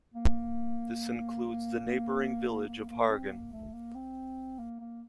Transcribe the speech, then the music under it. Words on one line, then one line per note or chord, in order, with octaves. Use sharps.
This includes the neighbouring village of Hargen.
A#3
A#3
A#3
C4
A#3
A3
A#3
C4
A#3
A#3